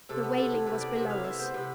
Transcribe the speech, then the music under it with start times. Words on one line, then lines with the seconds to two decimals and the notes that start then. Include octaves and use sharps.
The wailing was below us.
0.09 C3 A4
0.23 B3
0.37 C3 A4
0.52 E3
0.67 C3 B4
0.81 B3 D5
0.96 C3 E5
1.10 E3 F5
1.24 C3 E5
1.39 B3 C5
1.54 C3 B4